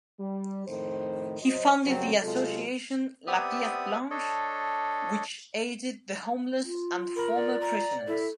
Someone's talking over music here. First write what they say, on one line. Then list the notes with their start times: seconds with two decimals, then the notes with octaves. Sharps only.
He founded the association La Pierre Blanche which aided the homeless and former prisoners.
0.20 G3
0.66 F2 A2 D#3 A3 C5
1.42 F#3 C5 D#5
1.85 F#2 C#3 F#3 G3 C4
2.22 C3 F#3 G#3 F4 A4
3.27 B3 C4 G4 D5 E5 D#6
4.11 D4 A4 C#5 D#5
6.65 F4
7.16 A#4 B5
7.34 D5
7.61 A#5
8.07 E4 A4